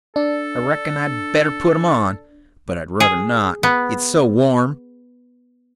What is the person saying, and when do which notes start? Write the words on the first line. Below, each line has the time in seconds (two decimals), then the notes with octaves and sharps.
I reckon I'd better put 'em on, but I'd ruther not, it's so warm.
0.16 D4 A4
3.00 G#4
3.63 B3